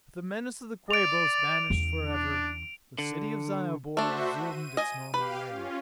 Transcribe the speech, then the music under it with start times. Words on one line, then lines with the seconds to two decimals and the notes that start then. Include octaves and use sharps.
With the menace of the Quabos banished forever, the city of Zyobor resumed its normal way.
0.91 D5 D7 F7
1.70 E2 C#3
2.09 D4
2.98 D3
3.97 A3 D4 F#4 C5 E5
4.36 D#7
4.77 D#5 G#5
5.14 G4 B4 F5
5.50 C#4 F4